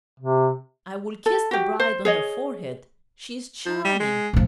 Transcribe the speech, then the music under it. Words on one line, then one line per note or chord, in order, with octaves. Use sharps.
I will kiss the bride on her forehead; she is charming.
C3
A4
F#4 G4
C5
G#4 C#5 D#5
F3
G3
G#3
A2 F3